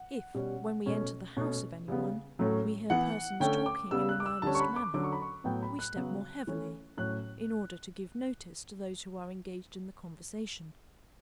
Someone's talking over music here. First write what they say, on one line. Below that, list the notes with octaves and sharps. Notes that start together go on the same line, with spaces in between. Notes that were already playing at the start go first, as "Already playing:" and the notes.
If, when we enter the house of any one, we hear persons talking in an earnest manner, we step more heavily, in order to give notice to those who are engaged in the conversation.
Already playing: F#5
B2 G3 C#4
B2 A3 C#4
B2 A3 C#4
C#3 G3 B3
A2 F#3 A3 C#4
E3 B3 F#5
D3 A3 C#4 G5
D6
C#3 G3 B3 E6
F#6
D6
E6
D3 G3 C#4 A5
C#6
B5
D6
D3 F#3 C#4 D6
C#6
B5
C#6
A2 F#3 B3 G5
B5
F#6
C#3 F#3 B3
E3 A3 C#4
A2 F#3 C#4 F#6